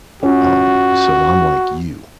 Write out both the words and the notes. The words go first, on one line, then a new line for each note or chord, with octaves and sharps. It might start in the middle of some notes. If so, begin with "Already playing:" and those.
um, so, I'm like you.
C#4 F4 F#4